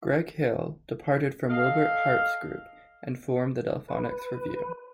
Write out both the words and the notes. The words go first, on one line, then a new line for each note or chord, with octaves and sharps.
Greg Hill departed from Wilbert Hart's group and formed The Delfonics Revue.
A4 D#5 F5
B4